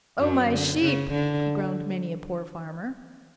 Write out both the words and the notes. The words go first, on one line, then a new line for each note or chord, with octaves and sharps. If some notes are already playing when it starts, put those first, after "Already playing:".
"Oh, my sheep!" groaned many a poor farmer.
F#2 F#3
D3
C#3
D3